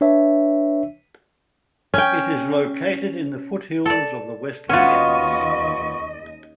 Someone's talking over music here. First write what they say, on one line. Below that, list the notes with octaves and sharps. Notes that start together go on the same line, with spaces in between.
It is located in the foothills of the Western Ghats.
D4 B4 C#5 E5
C#4 G5
A4 D5
D#2 B3 C#4 F4 F#4 D#5 C#6